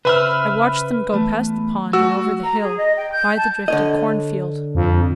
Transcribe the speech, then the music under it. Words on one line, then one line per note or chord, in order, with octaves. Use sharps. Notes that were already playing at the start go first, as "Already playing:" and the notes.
I watched them go past the pond and over the hill by the drifted cornfield.
C#3 B4 C5 E5 B5 F6
E2 A3
A3 F#4 E6
A#5
G#4
D#5
G5
G6
A5
D3 C#5 D#5
F2